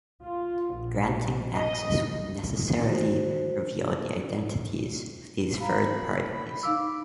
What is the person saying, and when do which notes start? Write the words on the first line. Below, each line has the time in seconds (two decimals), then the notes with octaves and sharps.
Granting access would necessarily reveal the identities of these third parties.
0.23 F4
0.75 A#1
1.55 D#5
2.82 D#3 D#4 F#4 C5
5.61 F5 A#5 B5
6.63 D#4 F5 D6 E6